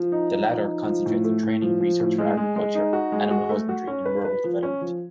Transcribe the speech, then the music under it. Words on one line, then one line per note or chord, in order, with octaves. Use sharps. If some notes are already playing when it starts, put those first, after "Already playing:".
The latter concentrates on training and research for agriculture, animal husbandry and rural development.
Already playing: F3
D#4
D#4
F3
D#4
F3
A2
A3
A2
F3
F3
A2
G#3
G#3
G#3
D#4
F#4
G#3
F#4
A3
F#4
C#4
B4
B4
F3
C#4
F3